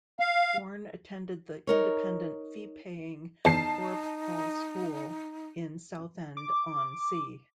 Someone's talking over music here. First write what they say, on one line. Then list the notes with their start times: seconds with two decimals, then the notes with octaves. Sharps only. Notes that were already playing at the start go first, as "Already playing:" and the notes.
Bourne attended the independent fee-paying Thorpe Hall School in Southend-On-Sea.
0.20 F5
1.67 D#4 A#4 C#5
3.45 E2 D#4 A5 C7
6.37 D6